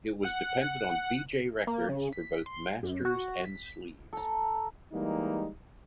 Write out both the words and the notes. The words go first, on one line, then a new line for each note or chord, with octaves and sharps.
It was dependent on Vee-Jay Records for both masters and sleeves.
F#5
A#3
C#3
B6
C6
F#2
F#4
B6
A4 A#5
E3 G3 G#3 A#3 D#4